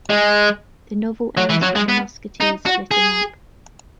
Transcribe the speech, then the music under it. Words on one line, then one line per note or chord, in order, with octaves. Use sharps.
The novel ends with the musketeers splitting up.
G#3
F#3
E3
F#3
G#3
B3
D#4
F#4
G#4